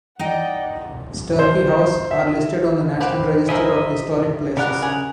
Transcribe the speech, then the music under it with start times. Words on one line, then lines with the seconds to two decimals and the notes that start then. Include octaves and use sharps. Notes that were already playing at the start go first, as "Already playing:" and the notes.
Sturkey House are listed on the National Register of Historic Places.
0.19 D#4 D5 D#5 F#5 G5
1.39 C5
2.11 E5
3.00 C4 G4 B4
3.49 E4 A#4 C5 D#5 E5
4.57 C#3 G3 B3 A#4 F#6
4.82 G#4